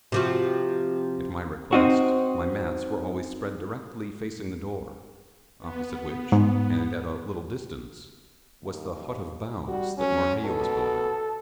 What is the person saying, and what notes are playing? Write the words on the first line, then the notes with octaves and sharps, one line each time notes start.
At my request my mats were always spread directly facing the door, opposite which, and at a little distance, was the hut of boughs that Marheyo was building.
C3 F3 F#4
C4 D#4 F#4
B3
G#2
D#2
G3 F#4
F#3 C#4
B2 A4